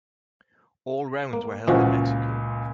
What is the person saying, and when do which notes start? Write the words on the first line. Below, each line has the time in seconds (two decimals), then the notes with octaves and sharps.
All rounds were held in Mexico.
1.33 A#3
1.68 C#2 A#2 E3 F3 F#4